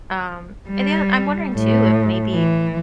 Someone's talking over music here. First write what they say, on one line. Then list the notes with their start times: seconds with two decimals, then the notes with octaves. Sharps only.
Um, and then I'm wondering too if maybe
0.69 G3
1.56 A2
2.33 E3